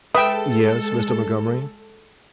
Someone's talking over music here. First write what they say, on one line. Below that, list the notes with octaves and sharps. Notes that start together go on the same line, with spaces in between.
"Yes, Mr. Montgomery?"
G#3 A4 B4 E5 G5 D#6